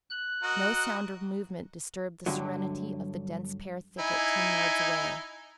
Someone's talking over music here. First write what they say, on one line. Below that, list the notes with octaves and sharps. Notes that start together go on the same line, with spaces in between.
No sound or movement disturbed the serenity of the dense pear thicket ten yards away.
F#6
F#4 A#4 D#5
G2 D3 F#3
D#4 E4 G#5